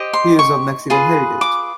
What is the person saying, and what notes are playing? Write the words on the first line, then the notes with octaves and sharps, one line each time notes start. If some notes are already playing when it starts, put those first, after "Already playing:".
He is of Mexican heritage.
Already playing: G4 C5 D#5
C6
C#6
F4 G#4 B4
D6